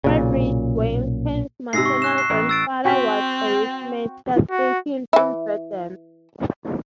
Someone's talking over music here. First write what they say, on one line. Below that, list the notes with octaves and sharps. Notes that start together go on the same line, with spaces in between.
Friedrich Wyneken's maternal grandfather was a Rittmeister stationed in Verden.
B1 A#2 C#3
G#2 C3 E6 A#6 C7
C#6
C#6 F#6 E7
C7
A1
E6 A6 D7
C4 F#4 G5 B6
F#4
E3 E4